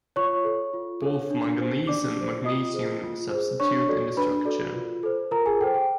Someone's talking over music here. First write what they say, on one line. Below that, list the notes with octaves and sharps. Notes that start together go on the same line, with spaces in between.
Both manganese and magnesium substitute in the structure.
F4 C#5 C#6
A4 C#5
F4
A4 C#5
D4
G4 C5
D4 D5 D6
G4 C5
F4 D#5 D#6
G#4 C5
F4
G#4 C5
D4 C#5 C#6
F#4 A4 D5
D4 B4 B5
F#4 A4 D5
F4
A4 C5
F4 A#4 A#5
G#4 G#5
A4 C5 G5
G5